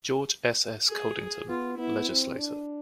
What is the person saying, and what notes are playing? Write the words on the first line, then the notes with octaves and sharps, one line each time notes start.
George S. S. Codington, legislator.
G#4
B3 F4
B3 E4
C4
D4